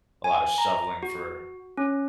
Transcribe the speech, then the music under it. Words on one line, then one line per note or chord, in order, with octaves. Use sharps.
a lotta shoveling for
G#5
A#5
F#4
C#4